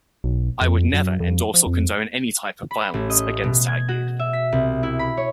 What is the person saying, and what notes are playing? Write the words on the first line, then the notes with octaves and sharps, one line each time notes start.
I would never endorse or condone any type of violence against our youth.
B1
F2
F#2
F2
F3
F2
B5
A1
D#5
B2
G#6
F#4
E5
B6
C2
E4
B5
C#5